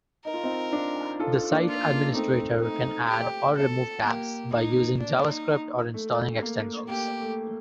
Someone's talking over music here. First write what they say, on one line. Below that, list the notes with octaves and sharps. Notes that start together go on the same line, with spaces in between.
The site administrator can add or remove tabs by using JavaScript or installing extensions.
D#4 A#4
F4
C4 D#4
D4 F4
F4 A4
A#3 D4
F4
A#3
A3 C4 D#4
D#4
G4
A4
A#3 G4
D#4
D4
D#4
A3
A#3
A#3 G4
A3